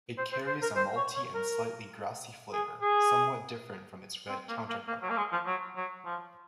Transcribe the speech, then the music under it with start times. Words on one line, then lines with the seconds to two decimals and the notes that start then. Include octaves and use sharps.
It carries a malty and slightly grassy flavour somewhat different from its red counterpart.
0.18 C5
0.32 C5
0.47 C5
0.62 A#4
0.76 C5
0.96 C#5
1.16 C#5
1.35 A#4
2.52 G#4
2.82 G#4
4.29 C4
4.49 A#3
4.69 A#3
4.88 A#3
5.02 F#3
5.10 A#3
5.17 G#3
5.32 F3
5.46 F#3
5.76 F#3
6.06 F3